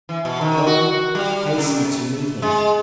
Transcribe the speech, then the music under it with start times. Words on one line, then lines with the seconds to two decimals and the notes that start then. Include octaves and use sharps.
Helen hastened to meet him.
0.09 E3
0.25 B2
0.41 D#3
0.67 F#4
1.15 G3
1.58 C#3
1.85 B2
2.42 G#3